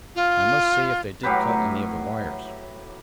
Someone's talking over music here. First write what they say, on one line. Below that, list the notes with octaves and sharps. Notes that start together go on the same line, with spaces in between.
"I must see if they did cut any of the wires."
F4
A2 F#3 G4 B4